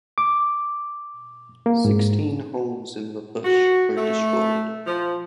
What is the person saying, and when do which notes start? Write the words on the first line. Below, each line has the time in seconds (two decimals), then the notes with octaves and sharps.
Sixteen homes in La Push were destroyed.
0.18 D6
1.66 A#3
1.85 G#2
3.45 F#4
3.96 A3
4.86 F3